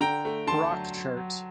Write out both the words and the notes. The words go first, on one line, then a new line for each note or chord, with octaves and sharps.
Rock Chart.
D3 G5 A#5
A3
D3 A5 C6
F#3
F#3
F#3